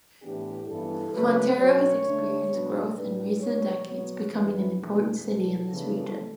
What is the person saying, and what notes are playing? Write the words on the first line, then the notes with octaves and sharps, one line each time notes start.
Montero has experienced growth in recent decades, becoming an important city in this region.
A2 E3 B3 D4 G4
G2 E3 G3 B3 A4
C#3 F#3 A3 B4
B2 F#3 C#4 C#5
D3 A3 D4
B2 F#3 B3 D4
A2 G3 D4 B4
B2 G3 B3 D4 C#5
B2 F#3 B3 C#5
F#2 E3 A3 D4 B4
E2 B2 A3 D4
E2 B2 G3 A4
C#3 E3 G3 B3 D4